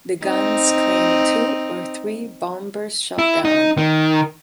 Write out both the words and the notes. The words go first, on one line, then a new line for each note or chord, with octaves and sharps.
The guns claimed two or three bombers shot down.
C4 D#4
E4
D#4
D#3